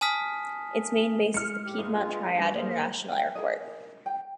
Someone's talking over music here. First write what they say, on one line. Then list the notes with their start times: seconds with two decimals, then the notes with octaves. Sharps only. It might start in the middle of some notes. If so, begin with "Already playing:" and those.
Its main base is the Piedmont Triad International Airport.
0.01 G#5 A5 D#6 F6 B6
1.34 G#3 F6 C#7
1.64 A2 G4
1.78 G1 G#4
1.90 G#3 F4
2.40 G3 D4 F#4 B4 D#5
2.55 A#3 G#4 A#4 C5
3.08 G5 G#5
3.35 G#4 A#4 D#5
4.06 G5